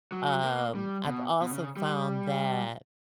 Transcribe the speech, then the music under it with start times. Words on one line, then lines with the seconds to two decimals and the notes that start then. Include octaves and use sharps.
um, I've also found that
0.12 F#3
0.44 A#3
0.75 G3
1.06 B2
1.42 B2
1.52 C#3
1.77 G3